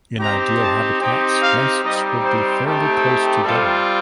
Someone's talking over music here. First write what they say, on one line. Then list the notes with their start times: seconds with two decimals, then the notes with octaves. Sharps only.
In ideal habitats, nests would be fairly close together.
0.20 C4 D#4 G4 A#5
0.60 A5
1.01 C4 D#4 G4 G5
1.41 F5
1.82 G3 C4 D#4 G4 D#5
2.22 C5
2.63 A3 C4 D#4 G4
3.44 G3 C4 F4 A4